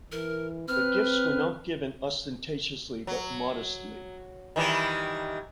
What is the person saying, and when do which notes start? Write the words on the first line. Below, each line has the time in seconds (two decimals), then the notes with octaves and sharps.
The gifts were not given ostentatiously but modestly.
0.12 E3 A#4
0.68 C4 B4 F6
3.07 F#3
4.56 D#3 E3 G3